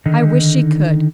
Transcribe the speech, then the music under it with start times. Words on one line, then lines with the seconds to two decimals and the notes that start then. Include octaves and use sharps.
I wish she could.
0.06 D3 D#3 D#4